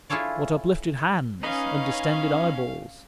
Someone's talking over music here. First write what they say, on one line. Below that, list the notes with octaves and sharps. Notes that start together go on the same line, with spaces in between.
What uplifted hands and distended eyeballs!
E4 F4 G#4 A4 C#5 D5
C#4 D#4 B4 D#5 F5